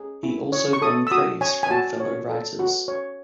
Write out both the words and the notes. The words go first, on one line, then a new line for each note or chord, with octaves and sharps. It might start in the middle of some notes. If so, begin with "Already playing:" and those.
He also won praise from fellow writers.
Already playing: G#4
E4
C#5
C#6
A4 D#6
E6
F#4 D#6
C#5 G#5
G#5
F#4 A5
C#5
A4
F#4
C#5